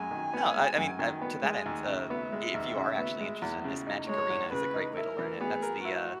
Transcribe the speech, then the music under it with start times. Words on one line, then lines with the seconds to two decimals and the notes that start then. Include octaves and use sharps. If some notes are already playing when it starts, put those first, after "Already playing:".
No, I I mean, uh, to that end, uh, if you are actually interested in this, Magic Arena is a great way to learn it. That's the, uh,
Already playing: F#2 G#3 G#5
0.11 D#3
0.34 B3
0.56 G#3
0.78 F#2
0.99 D#3
1.22 B3
1.43 G#3 G#5
1.66 D#2
1.87 C#3 E5
2.10 B3
2.32 G#3
2.54 D#2
2.76 C#3
2.98 B3
3.20 G#3
3.42 E2
3.64 C#3
3.87 D#4
4.09 G#3 C#5
4.30 E2
4.52 C#3 B4
4.74 D#4
4.96 E4 A#4
5.19 E3
5.41 B3 G#4
5.63 A#4
5.85 E4 F#4